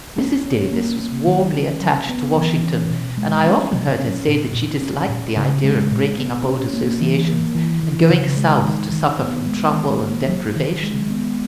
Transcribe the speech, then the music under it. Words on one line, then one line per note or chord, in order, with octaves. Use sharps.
Mrs. Davis was warmly attached to Washington, and I often heard her say that she disliked the idea of breaking up old associations, and going South to suffer from trouble and deprivation.
C#4
C#4
A#3
A#3
D#3
C#4
F#3
B3
E3
C#4
B2
G#3
C#4
F#3
C#4
A#2
A#2
C#4
A#2
C#3
G#3
A#2
B3
C#4
A#3
E3
A#3
E3
E3
C#3
G#3
D#3
D#3
B3
G#3
D#3
A#3
F#3
D#3
G#3
B3